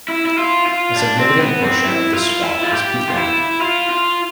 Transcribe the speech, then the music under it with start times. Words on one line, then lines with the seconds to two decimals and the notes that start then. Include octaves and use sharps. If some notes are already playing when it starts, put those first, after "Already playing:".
A significant portion of the swamp is peatland.
0.08 E4
0.26 E4
0.38 F4
0.67 F4
0.96 D4
1.18 C4
1.40 B3
1.63 C4
1.84 E4
2.14 F4
2.43 E4
2.63 F4
2.73 G4
3.08 F4
3.16 E4
3.61 F4
3.90 F4